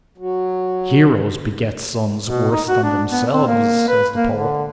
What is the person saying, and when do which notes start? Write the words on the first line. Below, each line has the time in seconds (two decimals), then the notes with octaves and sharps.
'Heroes beget sons worse than themselves, says the poet.'
0.18 F#3
2.26 B2
2.52 D#4
2.67 F#4
2.83 D4
3.11 B3
3.33 C4
3.47 A#3
3.88 B4
4.16 A#3
4.33 D3